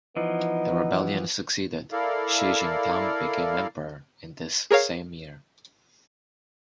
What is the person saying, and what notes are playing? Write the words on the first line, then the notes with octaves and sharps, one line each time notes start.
The rebellion succeeded; Shi Jingtang became emperor in this same year.
E3 F3 B3 D#4
E4 A4 A#4 D5 F5
G#4 A#4 C#5 F5